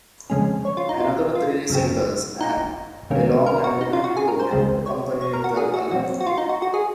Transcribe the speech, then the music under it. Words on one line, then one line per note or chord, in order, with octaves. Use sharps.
Another three singles and a long American tour accompanied the album.
F2 C#3 G#3 C#4
C#5
F4
D#4
F4
F4
F#2 C#3 F#3 C4
D#4
C#2 C3 D#3 A#3 C#4
A#4
F#4
D#4
F4
F#4
G#4
A#4
C5
C#2 C#3 G#3 C4
C#5
C#5
A#4
F#4
G#4
F#4
A#2 F#3 C4 F#4
F#4
F4
D#4
F#4
F#4
G#4